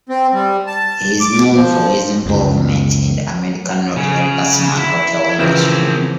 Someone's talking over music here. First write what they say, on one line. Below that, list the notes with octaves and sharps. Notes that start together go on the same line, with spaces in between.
He is known for his involvement in the American luxury casino and hotel industry.
C4
G3
A5
D6
F3
C#2 F#2
C#3
E4
C#3 E3 F3 C4 A#4